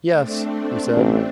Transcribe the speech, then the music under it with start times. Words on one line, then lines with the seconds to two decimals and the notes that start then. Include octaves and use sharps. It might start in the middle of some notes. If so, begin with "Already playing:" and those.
"Yes," he said.
0.10 A3 C4 D4
0.96 A1